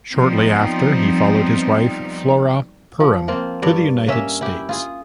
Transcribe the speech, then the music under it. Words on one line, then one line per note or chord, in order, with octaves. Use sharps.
Shortly after, he followed his wife Flora Purim to the United States.
F3 G3 B3 C4 D#4
F3
A#3 C4 F4
G2 C#5 D5
A#3 C#4 E5
E4 G4
F4 G#4